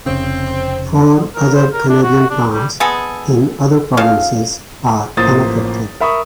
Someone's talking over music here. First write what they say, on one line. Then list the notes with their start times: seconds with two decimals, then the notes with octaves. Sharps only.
Four other Canadian plants, in other provinces, are unaffected.
0.06 F1 C#3 C4
1.35 A#4
1.54 C5
1.73 A#4
1.89 D4
2.02 F#4
2.30 D4
2.52 G3
2.80 G#3 B3 G#4 A4
3.97 C#3 F4 A4 F5
5.17 A1 F3 A#3 C5 D#6 A6
6.01 A#4 E5 B5 C#6 D#6